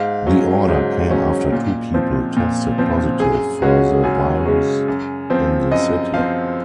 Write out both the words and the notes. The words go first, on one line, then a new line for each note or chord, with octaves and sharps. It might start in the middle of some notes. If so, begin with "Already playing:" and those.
The order came after two people tested positive for the virus in the city.
Already playing: G#2 F5
F#3 C#4
G#2
F#3 C#4
A#2
F3 C4
A#2
F3 C4
F#2 G#4
C#3 G#3 C#4 F#4
F#2 G#4
C#3 G#3 C#4
F#2
F3 C4
F#2 D#5
F3 C4 F5